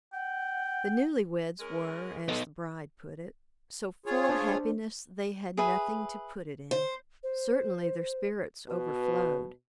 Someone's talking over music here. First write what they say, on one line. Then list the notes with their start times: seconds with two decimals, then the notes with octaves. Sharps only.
The newly-weds were, as the bride put it, "so full of happiness they had nothing to put it in." Certainly their spirits overflowed.
0.13 F#5 G5
1.59 G#3 C#4 A#4
2.29 G#3 B3 D#4 A4
4.06 F4 G#4 C#5
4.29 D4 C5 D5
5.57 G#4 B4 E5
6.71 C5
7.23 C5
8.69 B2 B4